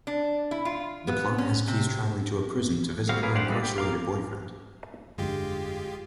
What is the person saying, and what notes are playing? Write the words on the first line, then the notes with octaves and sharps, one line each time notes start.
The plot has Keys traveling to a prison to visit her incarcerated boyfriend.
D4
E4
F4
B3
C#4
C3
G3 A3 C4 F#4 F5
F#3 A#3 G#4 A#4 B4
G4 C5 D5 F5 F#5
G3 B3 D4 A4 D#5
G4
F5 A#5 C6 D6
G1 F2 D3 G#3 F4 G4